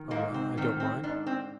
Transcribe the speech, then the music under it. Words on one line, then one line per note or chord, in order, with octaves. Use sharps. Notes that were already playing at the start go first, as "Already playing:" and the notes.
"Oh well--I don't mind."
Already playing: D#3
G#2 A#3
C4
D#3 C4
C4
G#2 D4
C4